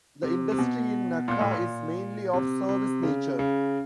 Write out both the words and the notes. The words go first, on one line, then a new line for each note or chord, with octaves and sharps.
The industry in Nacka is mainly of service nature.
C3
C3
B2
A#2
A2
A#2
C3
C3
C#3
C#3